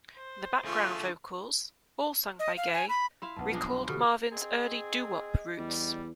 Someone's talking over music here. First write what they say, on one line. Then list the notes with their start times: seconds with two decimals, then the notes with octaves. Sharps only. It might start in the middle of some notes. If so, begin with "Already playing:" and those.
The background vocals, all sung by Gaye, recalled Marvin's early doo-wop roots.
0.17 C5
0.65 D3 A3 F4 G#4 C#6
2.39 D#5
2.57 F5
2.73 G#5
2.89 B5
3.22 E4 E5 F5 C6
3.36 B1 G2 B4 F#5 A5
3.52 F3 G#3 D4 D#6 C7
3.67 B5 C6
3.88 B2 D3 E3 G4 A4 F6
4.32 C4 G#4 D#5
5.59 E2 G3